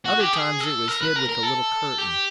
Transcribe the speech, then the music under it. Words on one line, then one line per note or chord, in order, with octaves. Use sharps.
Other times it was hid with a little curtain.
F#4
G4
G#4
A4
A#4
B4
A#4
A#4
A4
G4